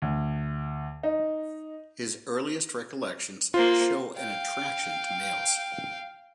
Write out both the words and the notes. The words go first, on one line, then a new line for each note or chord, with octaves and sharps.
His earliest recollections show an attraction to males.
D2
D#4
A#3 F4 C5
F5 G5